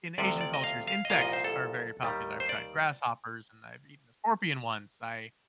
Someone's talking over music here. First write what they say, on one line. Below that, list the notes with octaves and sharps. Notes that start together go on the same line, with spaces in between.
in Asian cultures, insects are very popular, I've tried grasshoppers, and I've eaten a scorpion once. I
D2 C3 F3 D5
D5
D#5
F5
F5
D#5
C2 A#2 F3 F5
D#5
C5
A4
D#2 D#3 G3
C5
D5